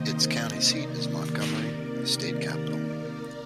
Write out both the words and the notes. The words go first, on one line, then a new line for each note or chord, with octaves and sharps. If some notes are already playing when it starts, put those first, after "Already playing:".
Its county seat is Montgomery, the state capital.
Already playing: C3 D#3 A#3 C5 D#5
A#4 D5
A#4 D5